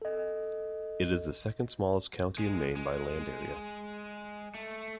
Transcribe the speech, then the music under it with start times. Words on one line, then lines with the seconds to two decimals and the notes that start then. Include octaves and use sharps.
It is the second-smallest county in Maine by land area.
0.02 A4 D#5
2.38 G#3
2.76 G#3
4.55 A3